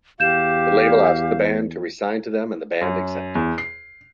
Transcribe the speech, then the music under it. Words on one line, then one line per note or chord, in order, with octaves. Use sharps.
The label asked the band to re-sign to them and the band accepted.
E2 G4 F5 G6 E7
F#2
E2
C7